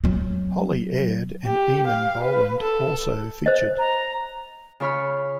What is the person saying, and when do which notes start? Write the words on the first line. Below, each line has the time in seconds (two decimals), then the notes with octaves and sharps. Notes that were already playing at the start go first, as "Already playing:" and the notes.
Holly Aird and Eamon Boland also featured.
0.04 F#3 C4
1.46 G4
1.87 F5
2.24 B4
2.60 A4
3.46 C5 D#5
3.79 A#5
4.80 C#3 F4 C#5 B5 F6